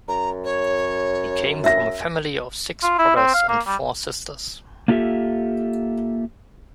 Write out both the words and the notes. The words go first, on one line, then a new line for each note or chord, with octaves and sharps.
He came from a family of six brothers and four sisters.
F#2 A#5
C#5
E5 A#6
F4
E4
C4
F5
A#3
G3
A#3 D4 F4 G4 A4 E5